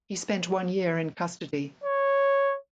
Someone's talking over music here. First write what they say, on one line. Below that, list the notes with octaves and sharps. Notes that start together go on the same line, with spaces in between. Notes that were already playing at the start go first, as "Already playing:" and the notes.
He spent one year in custody.
C#5